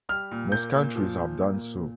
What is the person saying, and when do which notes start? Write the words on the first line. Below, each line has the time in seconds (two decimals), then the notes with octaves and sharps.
Most countries have done so.
0.09 G3 F6
0.31 A#2
0.52 A#3 G6
0.74 A#2
0.96 F3
1.18 A#2
1.40 A#3
1.61 A#2